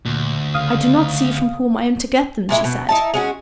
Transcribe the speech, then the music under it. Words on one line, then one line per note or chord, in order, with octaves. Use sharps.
"I do not see from whom I am to get them," she said.
D2 A#2
C#3 F5 D#6
A#2 G#3 E4
B2
D#4 E4 A5
G#3 C#4 F#4